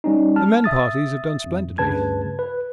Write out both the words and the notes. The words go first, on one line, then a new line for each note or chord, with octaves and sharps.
The men parties have done splendidly.
G3 C#4 D#4
A5 F6
E5 D#6 A6
F2
D2 G2 C#3 B4 A5 G#6
B4